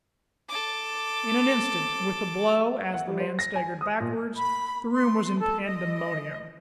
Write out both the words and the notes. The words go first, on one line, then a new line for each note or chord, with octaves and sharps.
In an instant, with the blow, as the man staggered backward, the room was in pandemonium.
A4 D6
F#5
G3
C5
A#6
G#5
D#6
A#2
B5
C6
A4
D#5